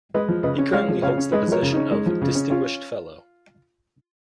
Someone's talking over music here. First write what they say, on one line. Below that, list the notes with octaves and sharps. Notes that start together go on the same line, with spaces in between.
He currently holds the position of distinguished fellow.
G#3 B4 D#5
F3
C#3 B4 D#5
C#4
G#3 C#5 F5
F3
C#3 C#5 F5
C#4
G#3 B4 D#5
F3 A#4 C#5
C#3
C#4 D#4
G#3
F3
C#3
C#4
C#4 F4